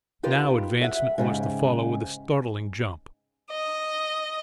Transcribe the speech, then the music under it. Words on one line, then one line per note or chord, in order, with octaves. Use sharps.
Now advancement was to follow with a startling jump.
D#4 F4 G4 B4
E5 F#5
G#2 C#3 G4
D#5